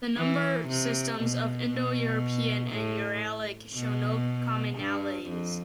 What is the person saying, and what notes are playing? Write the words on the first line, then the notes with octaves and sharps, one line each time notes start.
The number systems of Indo-European and Uralic show no commonalities.
E3
C3
B2
B2
A2
B2
G2
F2